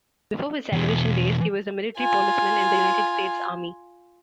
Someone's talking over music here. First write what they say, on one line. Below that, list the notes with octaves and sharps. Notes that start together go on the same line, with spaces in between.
Before his television days, he was a Military Policeman in the United States Army.
E2 B2
F4 G#5